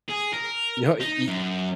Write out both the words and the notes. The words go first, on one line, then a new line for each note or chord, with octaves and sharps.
No, e e
G#4
A#4
D#4
F#2